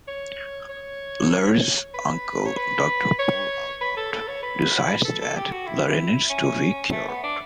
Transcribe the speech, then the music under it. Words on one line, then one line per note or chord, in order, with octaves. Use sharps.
Larry's uncle, Doctor Paul Abbot, decides that Larry needs to be cured.
C#5
C#5
B4
C#5
B4
C#5
B4
A4
A4
C#5
B4
A4
A4
G4
F#4
E4
C#4
A3
B3
D4